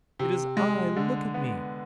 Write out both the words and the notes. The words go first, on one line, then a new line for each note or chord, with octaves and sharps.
It is I! Look at me!
C3
G#3
D3
B3